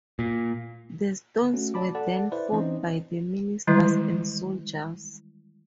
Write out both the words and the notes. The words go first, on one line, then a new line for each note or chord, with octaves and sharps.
The stones were then fought by the ministers and soldiers.
A#2
A3 C#4 F#4
F#4 D5 A5 B5 D6
A4 D5 F#5 A5
E4 B4 C5 D5 E5
E3 C4 C#4 D#4 C5 D#5
D#3 E3 G3 G#3 E4